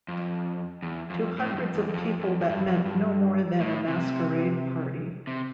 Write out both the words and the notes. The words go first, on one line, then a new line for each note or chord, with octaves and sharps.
To hundreds of people that meant no more than a masquerade party.
F2
E2
F2
A2
G2
F2
E2
E2
F2
F2
F2
G2
F2
G2
A2
C3
C3